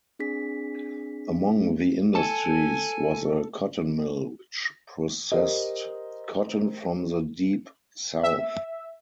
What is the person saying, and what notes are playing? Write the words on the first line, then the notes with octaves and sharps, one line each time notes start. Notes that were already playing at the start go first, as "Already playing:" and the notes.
Among the industries was a cotton mill, which processed cotton from the Deep South.
C4 D4 G#4 B6
A4 G#5 A5
G4 A#4 C5 D#5
E5